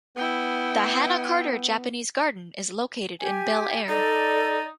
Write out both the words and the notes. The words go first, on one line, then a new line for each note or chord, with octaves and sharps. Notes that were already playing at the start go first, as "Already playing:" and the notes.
The Hannah Carter Japanese Garden is located in Bel Air.
B3 E4 G5
G4 G#5
D#4 A4 D5